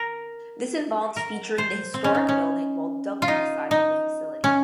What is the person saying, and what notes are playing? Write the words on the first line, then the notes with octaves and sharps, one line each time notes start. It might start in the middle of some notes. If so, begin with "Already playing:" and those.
This involved featuring the historic building while doubling the size of the facility.
Already playing: A#4
A#4
C5
C4
C#4
D#4
C#4
F4
D#4
D#4
C#4